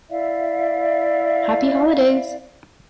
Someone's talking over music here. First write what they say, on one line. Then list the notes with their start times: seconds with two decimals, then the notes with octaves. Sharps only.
Happy Holidays!
0.10 E4 D5 E5 F5